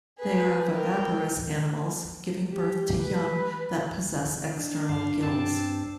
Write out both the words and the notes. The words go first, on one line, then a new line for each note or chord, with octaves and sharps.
They are viviparous animals, giving birth to young that possess external gills.
G#4 B4
A#4 G5
G4
B4
D4
G2 F5
G2 C4 A5